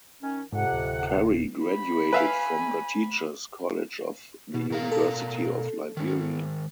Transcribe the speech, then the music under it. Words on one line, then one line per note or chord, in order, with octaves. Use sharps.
Perry graduated from the Teachers College of the University of Liberia.
D#3 C#4
F2 G#2 C3 F#5
D1
B5
B4 E5 F5 G#5
B2
B2 A#4 F5
A4
D#3 G#3